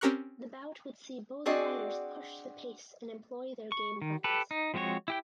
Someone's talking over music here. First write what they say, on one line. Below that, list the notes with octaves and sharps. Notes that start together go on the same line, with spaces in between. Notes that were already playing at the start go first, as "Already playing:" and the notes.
The bout would see both fighters push the pace and employ their game plans.
C4 C#4 G4 A#4 C#6 F#6
C4 D4 F#4 G#4 D5 D#5
C#6
D#3
G4 A4 B4
D#4
F3 G#3 C4 F#4 C#5
E4 G4 G5